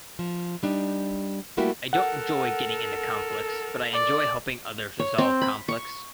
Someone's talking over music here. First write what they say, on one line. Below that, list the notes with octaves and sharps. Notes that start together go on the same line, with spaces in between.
I don't enjoy getting into conflicts, but I enjoy helping others resolve conflicts.
F3
G3 D4 D#4
G3 A3 A#3 E4 F#4 G4
A4 A#4 F#5
D5
C#5
C4
B5
C#6